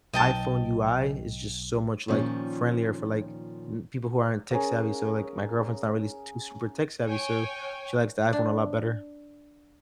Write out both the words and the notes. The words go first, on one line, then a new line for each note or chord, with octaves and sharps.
iPhone UI is just so much, like, friendlier for, like, n people who aren't tech-savvy, so, like, my girlfriend's not really too super tech-savvy, so she likes the iPhone a lot better.
B1 D#5 G5 A5
A#2 D#3 F3 C#4
C#4 G#4 A#4 F5
C#5 G5 G#5
D4